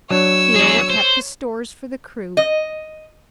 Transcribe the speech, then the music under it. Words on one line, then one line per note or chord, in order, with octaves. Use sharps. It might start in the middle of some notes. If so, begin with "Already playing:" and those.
Here were kept the stores for the crew.
F#3 D4 C#5 E6
E2 G#4
C5
D#5